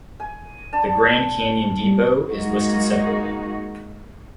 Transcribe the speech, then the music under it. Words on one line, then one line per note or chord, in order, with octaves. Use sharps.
The Grand Canyon Depot is listed separately.
G#5
D4 A5
G3
G#3 A#3 D#4 F#4